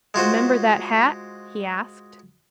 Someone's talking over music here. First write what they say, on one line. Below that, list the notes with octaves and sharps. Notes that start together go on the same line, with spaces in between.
"Remember that hat?" he asked.
G#3 F4 F#4 C5